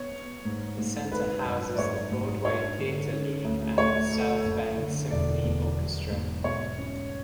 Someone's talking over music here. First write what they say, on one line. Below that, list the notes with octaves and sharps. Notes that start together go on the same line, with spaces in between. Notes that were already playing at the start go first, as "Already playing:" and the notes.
The center houses the Broadway Theater League and the South Bend Symphony Orchestra.
Already playing: B3 C#5
B3
G#2
G#2
G#1 B4
F#2
D5
G#2 C#5
G#2
D4 C#5
D3
C#4
D2
A2 C#5
A3
F#1
D3
E1 D5
E2
F#3
G#2
B2 C#5
C#4